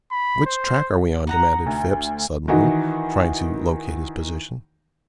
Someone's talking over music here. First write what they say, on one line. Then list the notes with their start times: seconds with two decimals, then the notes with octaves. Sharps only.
"Which track are we on?" demanded Phipps suddenly, trying to locate his position.
0.12 B5
0.46 C5
1.27 D#4 F#5 A#5
1.66 D2
2.48 D#3 E3 D#4 F#4